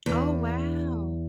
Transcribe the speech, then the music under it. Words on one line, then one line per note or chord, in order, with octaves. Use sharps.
Oh, wow!
E2